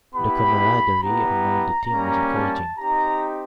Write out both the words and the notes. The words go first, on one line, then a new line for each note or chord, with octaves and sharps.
The camaraderie among the team was encouraging.
B3 E4 G4 B5
B3 E4 G4 A#5
G3 A#3 C#4
A5
C4 D#4 G4 A#5